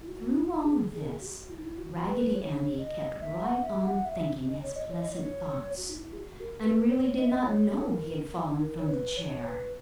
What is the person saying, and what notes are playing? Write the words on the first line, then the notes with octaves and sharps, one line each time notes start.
Through all this Raggedy Andy kept right on thinking his pleasant thoughts, and really did not know he had fallen from the chair.
E4
F#4
E4
G#4
G#4
A#4
G#4
F#4
E4
D#4
E4
F#4
B4
C#5
D#5
E5
F#5
E5
F#5
E5
D#5
C#5
D#5
C#5
D#5
C#5
F#4
D#4
E4
G#4
F#4
A#4
B4
C#5
D#5
E5
D#5
C#5
B4
A#4
A#4
C#5
B4
C#5
B4